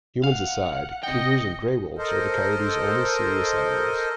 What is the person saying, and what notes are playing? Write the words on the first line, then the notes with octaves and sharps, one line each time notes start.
Humans aside, cougars and gray wolves are the coyote's only serious enemies.
F5 F#5
C3 D#5 G5 C#7
A4 A#4 C5 D#5